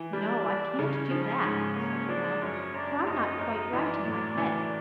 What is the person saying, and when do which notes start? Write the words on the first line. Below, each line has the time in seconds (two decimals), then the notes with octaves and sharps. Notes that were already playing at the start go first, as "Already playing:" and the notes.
"No, I can't do that," said the lad; "for I'm not quite right in my head."
Already playing: E3
0.13 G3 D4 D5
0.45 G3 D4 D5
0.79 C#3 C#4 C#5
1.11 F3
1.44 G#2
1.76 A#3 C#4 C#5
2.09 F3 D4 D5
2.41 F#2 C#4 C#5
2.74 F#2 D4 D5
3.07 F#2 D#4 D#5
3.39 F#2
3.73 E3 D4 D5
4.05 A2
4.38 E3